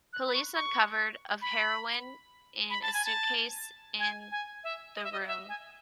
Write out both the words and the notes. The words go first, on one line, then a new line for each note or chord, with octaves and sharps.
Police uncovered of heroin in a suitcase in the room.
F#6
B5
C#6
C#6
B5
B5
A5
G#5
A5
G#5
G#5
E5
D#5
E5
D#5
F#5
E5
G#5